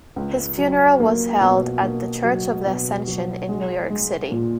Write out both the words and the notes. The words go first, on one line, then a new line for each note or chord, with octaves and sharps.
His funeral was held at the Church of the Ascension in New York City.
C#2
F#3
A#3
B2
A#3
F#3
B2
F#3
G#3
G#3
A#2